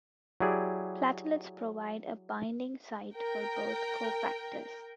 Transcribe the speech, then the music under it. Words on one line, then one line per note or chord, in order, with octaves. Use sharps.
Platelets provide a binding site for both cofactors.
F#3 E4 G4 G#4 D5
A#4 G5